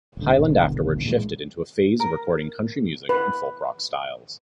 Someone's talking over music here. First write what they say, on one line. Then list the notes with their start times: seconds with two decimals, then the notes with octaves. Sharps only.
Hyland afterward shifted into a phase of recording country music and folk rock styles.
0.17 D#1 D3
0.38 D#1 G#1 B2 D3
1.04 A1 A#2 G#3
2.00 A#4
3.09 B4